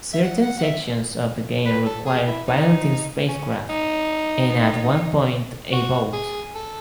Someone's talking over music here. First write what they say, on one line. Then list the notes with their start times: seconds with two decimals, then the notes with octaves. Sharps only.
Certain sections of the game require piloting spacecraft and at one point a boat.
0.13 E5
0.23 F#5
0.42 F#5
0.59 F#5
0.63 E5
1.66 B4
1.85 A4
2.06 G#4
2.27 E4
2.47 D#4
3.28 C#4
3.69 D#4
5.73 F#4
6.13 G#4
6.55 A4